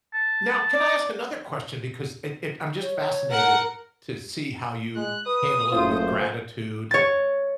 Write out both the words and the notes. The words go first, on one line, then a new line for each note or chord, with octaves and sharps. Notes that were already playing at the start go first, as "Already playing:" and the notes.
Now, can I ask another question, because it it I'm just fascinated to see how you handle it with gratitude and
A5
D5
C#5
A#4 F#5
G#3 F#6
B4 D#6
F#1 A3 F4 C5
C#5 A6